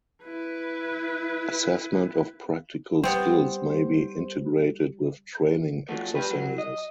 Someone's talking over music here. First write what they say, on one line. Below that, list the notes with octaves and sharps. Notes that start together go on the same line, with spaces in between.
Assessment of practical skills may be integrated with training exercises.
E4 B4
G3 B3 C4 C5
F3 A3 F#4
G3 G4 B4
F#3
D#5